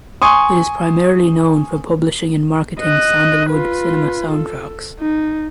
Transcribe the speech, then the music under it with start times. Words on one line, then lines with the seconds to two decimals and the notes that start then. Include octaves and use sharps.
It is primarily known for publishing and marketing Sandalwood cinema sound tracks.
0.22 G#5 C6 C#6 D#6
2.80 D#5 F#6
3.51 F4 B4
4.32 A4
5.00 D#4